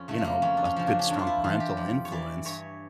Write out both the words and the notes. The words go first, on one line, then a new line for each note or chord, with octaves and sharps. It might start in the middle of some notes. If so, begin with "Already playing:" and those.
you know, a good, strong parental influence
Already playing: F2 C#4
C#3 F3 A3
A3
A#3
F2 C#4
D4
C#4
C#3 F3
D4
C#4
F2 D4
F4
E4
E3 F4
G4
F2
C#5
E3 D5
G2 C#5